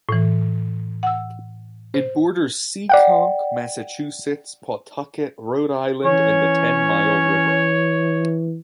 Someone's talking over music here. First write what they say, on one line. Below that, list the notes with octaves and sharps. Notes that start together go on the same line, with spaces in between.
It borders Seekonk, Massachusetts, Pawtucket, Rhode Island and the Ten Mile River.
A2 E3
F#5 E6
C5
D5 F#5 G5
E3 C#4 C#5